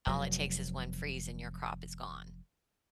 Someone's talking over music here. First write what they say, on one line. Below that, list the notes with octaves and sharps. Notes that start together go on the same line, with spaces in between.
all it takes is one freeze, and your crop is gone.
F1 F#3